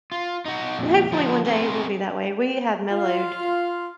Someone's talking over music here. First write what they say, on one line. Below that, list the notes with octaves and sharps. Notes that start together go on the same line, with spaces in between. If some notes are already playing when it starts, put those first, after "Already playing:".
and hopefully, one day, we'll be that way, we have mellowed
F4
D#4 F#4
F2 A#2
D3 F3
B3 C4 F#4 G#4 A#4 C5
F4 F5